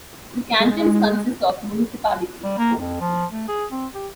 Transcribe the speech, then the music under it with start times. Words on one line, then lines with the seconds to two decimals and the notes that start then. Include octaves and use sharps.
The cantons consist of municipalities.
0.60 G#3
2.44 G3
2.58 A#3
2.79 F2
3.01 F3
3.31 A3
3.48 G#4
3.72 C4
3.94 G4